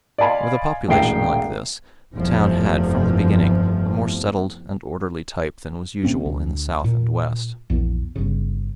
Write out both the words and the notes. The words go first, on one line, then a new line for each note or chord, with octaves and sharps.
With a population like this, the town had, from the beginning, a more settled and orderly type than was usual in the South and West.
D5 D#5 F5 G#5 B5 C6
E1 A1 A#2 G5 C7
F1 E2 G2 F3
C3 A#3 C4 C#4
D2
A#2
A#1 E2
G1 C#3